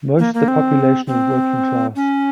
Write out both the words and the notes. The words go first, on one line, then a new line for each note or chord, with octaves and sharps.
Most of the population is working class.
A#3
A#3
C4
C4
C#4